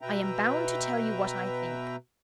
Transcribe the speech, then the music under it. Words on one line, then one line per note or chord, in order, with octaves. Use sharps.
I am bound to tell you what I think.
B2 B4 E5 G5 A#5